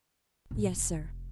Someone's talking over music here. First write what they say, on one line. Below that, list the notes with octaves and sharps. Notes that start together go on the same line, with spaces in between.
"Yes, sir."
B1 A2
F1